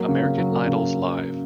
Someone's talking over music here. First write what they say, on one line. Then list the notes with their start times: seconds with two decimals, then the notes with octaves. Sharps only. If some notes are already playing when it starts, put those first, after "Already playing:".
American Idols Live!
Already playing: F#3 A#3
0.08 C#3
0.23 C#3
0.38 F#3
0.52 A#3
0.67 C#3